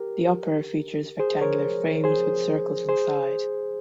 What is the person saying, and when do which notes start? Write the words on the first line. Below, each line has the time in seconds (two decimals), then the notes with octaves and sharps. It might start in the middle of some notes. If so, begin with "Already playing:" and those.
The upper features rectangular frames with circles inside.
Already playing: G4 A#4
1.20 G#4 C5
1.41 A#4 C#5
2.04 G#4 C5
2.89 G#4 C5